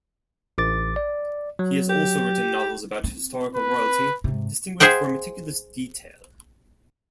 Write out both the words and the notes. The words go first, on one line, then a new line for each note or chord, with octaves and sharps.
He has also written novels about historical royalty, distinguished for meticulous detail.
A1 D6 A6
D5
F#3
G4
C4
B4
G#2 C3
G#4 C5 E5 F#5 G5